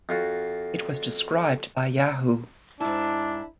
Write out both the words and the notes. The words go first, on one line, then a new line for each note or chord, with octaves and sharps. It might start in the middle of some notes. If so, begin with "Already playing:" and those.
It was described by Yahoo!
F2 F4 F#4
G#2 D4 E4 A5